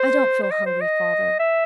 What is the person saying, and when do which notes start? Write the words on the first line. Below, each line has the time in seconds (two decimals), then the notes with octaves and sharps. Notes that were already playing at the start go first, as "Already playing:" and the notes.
'I don't feel hungry, father.
Already playing: C5
0.43 C5
0.51 D#5
0.66 C5
0.81 D#5
1.39 E5